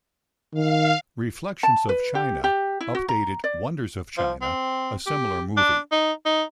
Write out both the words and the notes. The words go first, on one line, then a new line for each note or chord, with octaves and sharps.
"Reflections of China" updated "Wonders of China", a similar movie.
D#3 F5
A5
B4
G4
G4
E4
F#4
A#5
D5
F3
C4
G4
D4
D#4
D#4